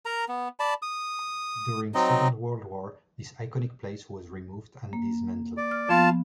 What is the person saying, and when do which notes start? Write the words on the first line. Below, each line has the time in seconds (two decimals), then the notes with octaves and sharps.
During Second World War, this iconic place was removed and dismantled.
0.06 A#4 A#5
0.28 B3
0.60 D5 A5 B5
0.82 D#6
1.95 F#3 C4 D#4 D#5
4.93 A#3
5.57 D5
5.71 F6
5.89 F3 B3 F4 A5